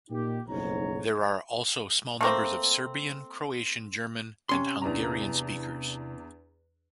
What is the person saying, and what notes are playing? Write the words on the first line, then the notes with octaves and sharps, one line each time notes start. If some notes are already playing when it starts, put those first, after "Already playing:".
There are also small numbers of Serbian, Croatian, German, and Hungarian speakers.
A#2 D#4 G4
F#1 B1 F2 G#2 C#5 A#5
A3 A#3 C4
C3 C#4 C6
E2 D4 A#5